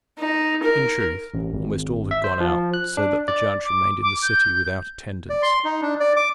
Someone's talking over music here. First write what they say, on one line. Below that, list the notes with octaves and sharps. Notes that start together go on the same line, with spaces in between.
In truth, almost all had gone out, so that the judge remained in the city without attendance.
D#4
A#4
A1
G#1
E5
C5
F3
F#6
D4
D5
D6
D6
G6
D5
C6
D#4
D4
D5
D6